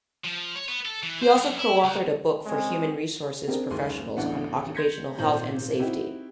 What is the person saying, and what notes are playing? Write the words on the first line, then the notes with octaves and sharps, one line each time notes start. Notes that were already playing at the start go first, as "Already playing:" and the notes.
He also co-authored a book for human resources professionals on occupational health and safety.
F3
C#5
B3
A4
E3
C5
F#2
E4
C#2
G#3 C4 C#4 C#5
C4 D4 G4 G#4 A#4
F#1 D#2 G#3 C6
A1 D2 B3 D4 F#5
C6 G6 G#6 A#6 B6 C#7
G#1 A#2 C5 A#5 G6 F#7
C4 D#4 E4 F#4 G4